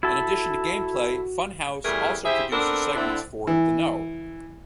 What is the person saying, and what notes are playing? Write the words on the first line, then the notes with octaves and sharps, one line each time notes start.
In addition to gameplay, Funhaus also produces segments for The Know.
E4 F#4 A4
E2 G3 A3 G#4 A#4
E4 G4 G#4 C5 E5
B3 C4 D4 A4 A#4
A2 D3 C4 D4 E4
E3